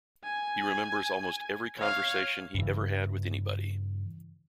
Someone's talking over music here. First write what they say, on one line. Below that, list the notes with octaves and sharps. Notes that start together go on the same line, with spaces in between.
He remembers almost every conversation he ever had with anybody.
G#5
C#5 F5
G2 C#3 E3